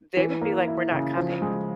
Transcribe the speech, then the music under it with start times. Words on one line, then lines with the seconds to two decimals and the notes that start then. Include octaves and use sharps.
they would be like, "We're not coming.
0.17 E3
0.42 A#3
0.67 E4
0.92 C#3
1.17 F3
1.42 G#3